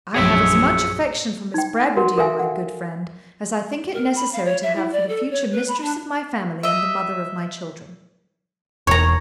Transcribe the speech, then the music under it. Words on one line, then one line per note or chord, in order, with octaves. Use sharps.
'I have as much affection for Miss Bradwardine, my good friend, as I think it necessary to have for the future mistress of my family and the mother of my children.
A#1 F#2 G#4 C#5 E5
D#4 G5
F#4 A#4 F#5
A4 A#4 E5 F5 G5 G#5
F#5
A#4
B5
F5
C#5
E5
E4
D5
A4
C#5
B4
B5
D4
D#5 E5
E1 C#5 A#5